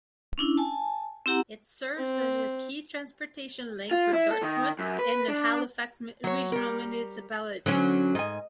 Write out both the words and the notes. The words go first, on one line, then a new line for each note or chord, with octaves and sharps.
It serves as a key transportation link for Dartmouth and the Halifax Regional Municipality.
C#4 D4 E4
G#5 A5
C4 E4 G4 F#5 A#5
C4
F4
E4
A4
D#3
F#2
B4
D4
F#3 C#5
G3 A#4
D3 F#3 C#4
G#2 D#5 G#5